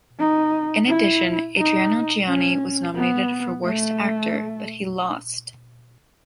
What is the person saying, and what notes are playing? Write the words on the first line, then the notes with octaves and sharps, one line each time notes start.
In addition, Adriano Giannini was nominated for “worst actor” but he lost.
D#4
E4
D#4
C#4
B3
A3